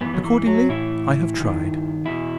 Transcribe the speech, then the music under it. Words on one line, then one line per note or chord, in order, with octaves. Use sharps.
Accordingly, I have tried.
G2 E3 B3
F#3
E3
F#3
A2 E3 E4
G2 D#3
E2 B2 E4